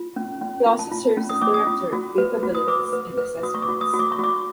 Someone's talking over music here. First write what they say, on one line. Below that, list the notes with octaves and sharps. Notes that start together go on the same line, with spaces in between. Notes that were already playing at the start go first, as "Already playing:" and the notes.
He also serves as Director of Capabilities and Assessments.
Already playing: F4
C#4
C#4
F4
A5
F4
C#4
D#6
C#4 D6
D#6
F4
F#4
B4
F#4
D#6
B4 D6
B4
B4
F#4 D#6
C#6
D6
F#4
D#6
F#4
D6
C#6
F#4 D6